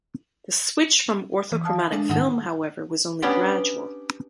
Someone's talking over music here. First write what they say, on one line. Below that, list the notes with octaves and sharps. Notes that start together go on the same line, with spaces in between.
The switch from orthochromatic film, however, was only gradual.
E3
F5 A5 D#6
E5
G#3 D4 A4
G#2 D#3 D#4 F#5 A5
B3 C#4 D4 G4